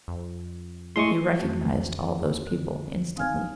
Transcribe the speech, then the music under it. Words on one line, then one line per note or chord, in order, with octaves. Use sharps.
He recognized all those people instantly.
F2
A2 G#3 A3 C6 C#6
F2 D#3 A3 C4 C#4 F#4
D3
C4 D#4 F5 G#5 F6 G#6